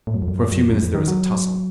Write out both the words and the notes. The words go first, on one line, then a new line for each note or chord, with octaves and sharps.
For a few minutes there was a tussle.
A2
F#2
F2
F#2
F#2
F2
F#2
F2
D#3
F#3